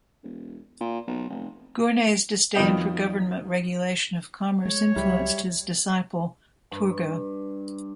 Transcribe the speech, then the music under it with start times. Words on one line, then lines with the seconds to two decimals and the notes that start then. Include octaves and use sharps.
Gournay's disdain for government regulation of commerce influenced his disciple Turgot.
0.23 E1
0.80 A#2
1.08 B1
1.30 F1
2.55 F2 D#3 F#3 B3 D#5 G5
4.65 G#3 C#5
4.96 C#2 F#3 G3 E5
6.71 G2